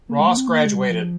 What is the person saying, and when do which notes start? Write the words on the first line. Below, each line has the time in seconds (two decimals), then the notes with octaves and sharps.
Ross graduated.
0.09 A#3
0.19 G#3
0.28 A#3
0.37 C4
0.48 A#3
0.66 G#3
0.75 G3
0.90 F3